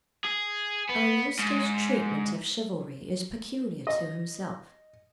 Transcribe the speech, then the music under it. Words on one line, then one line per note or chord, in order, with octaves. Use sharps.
Ariosto's treatment of chivalry is peculiar to himself.
G#4
B3
G#2
D#5